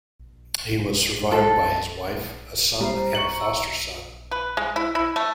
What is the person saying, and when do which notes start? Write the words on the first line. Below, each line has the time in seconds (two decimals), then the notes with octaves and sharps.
He was survived by his wife, a son and a foster son.
1.32 A4
2.81 G3 C5 A#5
3.15 A#5 C#6 C#7 F#7
3.40 A#5 E6
4.31 B4
4.57 G#3
4.76 E4
4.95 E4
5.16 A3